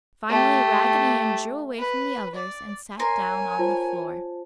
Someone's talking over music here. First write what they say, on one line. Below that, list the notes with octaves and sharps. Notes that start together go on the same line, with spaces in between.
Finally Raggedy Ann drew away from the others and sat down on the floor.
A3 G4
B4
D5
A#4 C#5 G#5 C6
F4 C5 A5